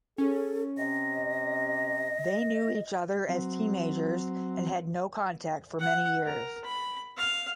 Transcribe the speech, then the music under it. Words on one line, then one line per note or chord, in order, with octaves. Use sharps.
They knew each other as teenagers, and had no contact for many years.
C#4 G#4 A4
C3 D#5 A#6
F#3 C4
F#5
A#4
B5
F5